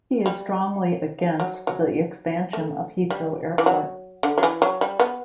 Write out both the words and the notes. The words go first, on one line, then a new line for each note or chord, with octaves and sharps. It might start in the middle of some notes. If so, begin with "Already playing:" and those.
He is strongly against the expansion of Heathrow Airport.
G3
F#3
F#3
A3
G3
E3
F#3
D3
F#3
E3
F#3
G3
B3